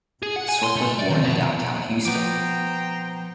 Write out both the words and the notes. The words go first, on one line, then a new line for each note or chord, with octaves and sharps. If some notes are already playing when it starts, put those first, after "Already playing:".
Swick was born in downtown Houston.
G#4
F#5
G#5
C6
A3
D5
D#3
B2
F3 B3 C5 G5 A#5 D6